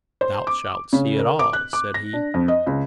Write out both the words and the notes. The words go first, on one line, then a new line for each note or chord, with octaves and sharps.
"Thou shalt see it all," said he.
C5
D6
C#3
A#4
D6
F#6
D6
A#6
D4
F2
D#5
C#2